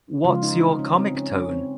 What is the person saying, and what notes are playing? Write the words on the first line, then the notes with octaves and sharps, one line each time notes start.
What's your comic tone?
C#3 F3 G#3 F4
D#4
D#4
D#4
C#4
C4
C#4
C#4
C4